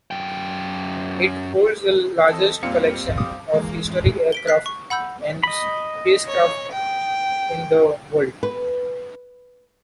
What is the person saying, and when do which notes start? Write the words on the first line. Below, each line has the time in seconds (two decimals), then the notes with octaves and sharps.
It holds the largest collection of historic aircraft and spacecraft in the world.
0.11 F#2 G5
2.29 E3 C4 A4 D#5
2.63 F2 A#2 G3 C4 F5 C#7
3.18 D6 D#6
3.54 E3 G#3 A#3
3.86 F2 A2
4.32 B6 D7 G7
4.47 F#6 B6 C7
4.66 C#6
4.90 F#5 B5 E6 G6
5.43 D#5 B5
6.28 C#5
6.73 G5
8.43 B4